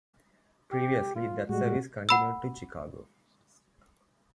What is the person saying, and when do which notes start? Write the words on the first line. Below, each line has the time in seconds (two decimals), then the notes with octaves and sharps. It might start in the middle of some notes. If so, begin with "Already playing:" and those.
Previously, that service continued to Chicago.
0.72 G4
1.16 F4
1.49 A2 G3 G#3 F#4
2.09 F#5 B5 E6